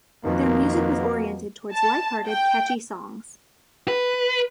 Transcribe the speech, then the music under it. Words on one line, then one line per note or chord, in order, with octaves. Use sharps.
Their music was oriented towards lighthearted, catchy songs.
F2 B2 D#3 A#3
A5
G5
B4